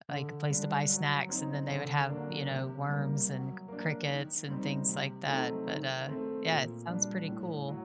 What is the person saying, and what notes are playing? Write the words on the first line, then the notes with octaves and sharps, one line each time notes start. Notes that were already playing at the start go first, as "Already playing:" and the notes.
like a place to buy snacks, and then they would have, you know, worms and c crickets, and things like that, but, uh, yeah, it sounds pretty cool.
D3
G3 D4
F#3
C4 D#4
D3
F#3 A#3 D4
C3
G3 A#3
F#3
A#3 D4
D#3
G3 C4 D#4
C3
F#3 A3 C4 D#4
D#3
A3 C4
A#2
G3 D4
A2
F#3